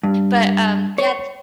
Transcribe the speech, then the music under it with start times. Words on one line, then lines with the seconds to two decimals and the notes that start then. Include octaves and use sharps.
But, um, yeah, th
0.03 G2
0.98 C#5